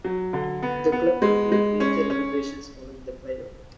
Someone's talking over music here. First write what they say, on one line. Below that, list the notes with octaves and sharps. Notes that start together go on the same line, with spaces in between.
The club underwent major renovations following the fire.
F#3
D3
B3
B3
G#3
G#3
C#4
C#4